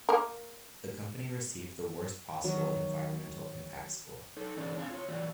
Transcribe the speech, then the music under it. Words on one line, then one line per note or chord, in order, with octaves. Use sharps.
The company received the worst possible Environmental Impact score.
A#3 A#4
D#3 F#3
D#4 A4
E3 C#4 D#4 G#4 D5
C4 D4 F5 G#5
F4 C#5
E3 A#3 F4 F#4 D5